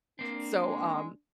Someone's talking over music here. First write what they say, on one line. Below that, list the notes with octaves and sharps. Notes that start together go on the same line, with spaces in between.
So, um
A#3 C4 D4
G#3